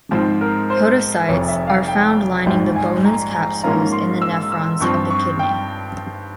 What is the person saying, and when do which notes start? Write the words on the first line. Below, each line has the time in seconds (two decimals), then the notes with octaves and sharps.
Podocytes are found lining the Bowman's capsules in the nephrons of the kidney.
0.11 G#2 F3 C4 C5
0.41 A#4
0.70 C5
1.29 F1 F2 C3 F3 C#5
1.48 E5
1.67 F5
1.88 G5
2.46 A#1 G#2 G3 G5
2.76 G#5
3.05 A#5
3.35 A#5
3.63 G#2 F3 A#3 C#4 F4 A#5
3.92 C6
4.22 E6
4.52 E6
4.81 G2 F3 C4 C#6
5.10 C#6
5.39 G5